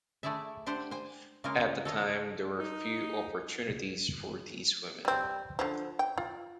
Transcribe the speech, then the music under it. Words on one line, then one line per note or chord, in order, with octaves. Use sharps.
At the time there were few opportunities for these women.
A3 E4 G#4 D5 E5
D4 G4 C5 F#5
C5 G5 G#5
C#3 G#3 A#3 F4 A#4
A4 C#5 D#5 F5
D#4
G3 C4
D3 F3
G5
F4